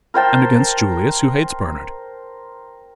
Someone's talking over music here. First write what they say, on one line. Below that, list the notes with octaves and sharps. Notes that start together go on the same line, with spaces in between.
And against Julius, who hates Bernard.
A#4 C5 G5 A5